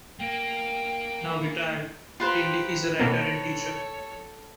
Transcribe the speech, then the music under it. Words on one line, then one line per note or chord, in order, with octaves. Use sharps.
Now retired, Tinley is a writer and teacher.
A#3 G5
F4 G4 B4 C5 A#5
B2 A#3 C4 A4 C#5